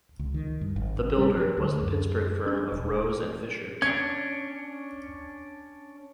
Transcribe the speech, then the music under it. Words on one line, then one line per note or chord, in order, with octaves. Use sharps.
The builder was the Pittsburgh firm of Rose and Fisher.
C#2
D#3
G2
G#1
G3
F#3
D2
F#2
D4
D#1
C#4 D4 G#6